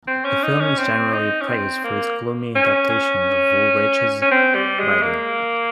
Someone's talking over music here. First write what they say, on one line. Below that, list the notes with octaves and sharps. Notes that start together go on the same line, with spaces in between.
The film is generally praised for its gloomy adaptation of Woolrich's writing.
C4
C#4
D#4
C#4
C4
D#4
C#4
C4
A#3
C#4
C#4
C#4
C4
G3
G#3
A#3